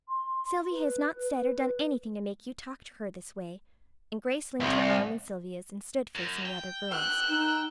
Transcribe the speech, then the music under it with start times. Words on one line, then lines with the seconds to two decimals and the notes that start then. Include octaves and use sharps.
"Sylvia has not said or done anything to make you talk to her this way," and Grace linked her arm in Sylvia's, and stood facing the other girls.
0.09 C6
0.72 B4
4.60 C2
6.15 F#2
6.46 G5
6.90 E6 F#6
7.29 D#4